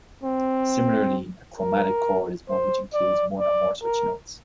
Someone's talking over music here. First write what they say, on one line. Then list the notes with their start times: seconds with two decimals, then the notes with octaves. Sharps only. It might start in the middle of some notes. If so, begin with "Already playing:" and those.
Similarly, a chromatic chord is one which includes one or more such notes.
0.24 C4
1.60 A#4
2.49 C5
2.94 D5
3.39 D5
3.83 A#4